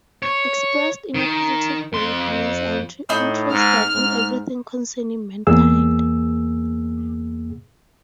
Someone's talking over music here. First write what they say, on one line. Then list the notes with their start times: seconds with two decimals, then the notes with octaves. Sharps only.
Expressed in a positive way it means, 'I am interested in everything concerning mankind.
0.23 C#5
1.15 D#3
1.93 F2 C6
3.09 A2 D#4 B5 E6
3.52 G#2 F6
3.94 G#2
5.47 E2 A#3 G#4 E6